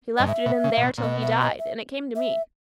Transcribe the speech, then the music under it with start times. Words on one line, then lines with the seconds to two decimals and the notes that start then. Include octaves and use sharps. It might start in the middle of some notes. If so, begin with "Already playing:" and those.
He left it in there till he died, and it came to me.
0.17 G2 D#5
0.27 G#2 E5
0.46 B2
0.64 C#3
0.77 A#2
0.84 B2
0.98 A#2
1.03 B2 D#5
1.22 E5
1.41 D#5
1.59 E5
2.16 E5